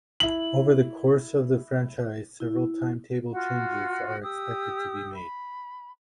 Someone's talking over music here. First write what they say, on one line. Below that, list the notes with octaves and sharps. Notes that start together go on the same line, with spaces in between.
Over the course of the franchise several timetable changes are expected to be made.
E4 F#7
E4
F4 F#4 F#5
G4 D#6 E6
B5